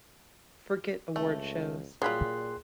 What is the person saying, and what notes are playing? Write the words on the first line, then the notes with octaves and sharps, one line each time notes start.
Forget awards shows.
C#2 A3
A#2 F#3 G3 F4 G#4 B5 C6 F#6